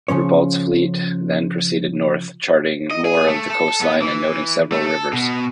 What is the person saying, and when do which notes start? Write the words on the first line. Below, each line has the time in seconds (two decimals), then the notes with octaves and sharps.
Ribault's fleet then proceeded north, charting more of the coastline and noting several rivers.
0.08 C#3 F3 C#4 C#5
2.91 D#5
3.05 G#4
3.28 A3
3.50 A4
3.81 B3
4.02 E3
4.72 A3
4.86 A4
5.13 B2